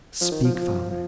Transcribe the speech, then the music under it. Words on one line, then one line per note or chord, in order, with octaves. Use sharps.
Speak, Father.
F3
D#3
F3
F3
F3